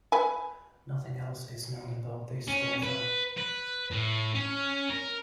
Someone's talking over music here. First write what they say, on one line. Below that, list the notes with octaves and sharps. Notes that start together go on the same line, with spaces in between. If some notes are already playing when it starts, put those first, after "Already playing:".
Nothing else is known about this author.
B4 G#5
C#4
B4
B4
A2
C#4
A#4